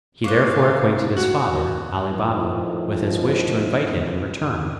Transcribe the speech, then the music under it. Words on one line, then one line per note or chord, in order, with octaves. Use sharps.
He therefore acquainted his father, Ali Baba, with his wish to invite him in return.
C5 C#5 F5 C#6 D6 F#6
F#4
F2 A2 D#3 F3